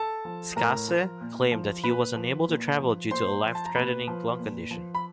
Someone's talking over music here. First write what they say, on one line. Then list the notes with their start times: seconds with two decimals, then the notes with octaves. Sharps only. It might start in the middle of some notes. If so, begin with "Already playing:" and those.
Skase claimed that he was unable to travel due to a life-threatening lung condition.
Already playing: A4 A5
0.25 F3
0.56 A2 A#4 A#5
0.88 F3
1.21 A#2
1.52 F3
1.84 A#2 B4 B5
2.16 F3
2.48 A#2
2.80 F3
3.11 A#2 C5 C6
3.44 F3
3.55 A5
3.65 A#5
3.75 A#2 B4 B5
4.08 F3
4.39 A#2
4.71 F3
4.95 B5